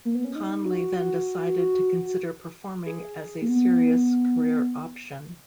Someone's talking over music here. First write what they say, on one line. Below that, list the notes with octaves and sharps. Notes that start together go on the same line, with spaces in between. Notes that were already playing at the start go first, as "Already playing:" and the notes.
Conley then decided to consider performing as a serious career option.
A#3
B3
C#4
D#4
F#4
F#4
G#4
A#3
B3